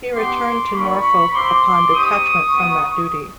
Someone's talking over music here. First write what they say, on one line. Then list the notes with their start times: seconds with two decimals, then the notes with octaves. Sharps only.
He returned to Norfolk upon detachment from that duty.
0.13 B3 D#4 G4 C6 D6
0.73 A#3 D4 F4 B5 C#6
1.33 C4 F4 C6 D6
1.93 C4 D#4 G4 C#6 D#6
2.53 B3 D#4 F#4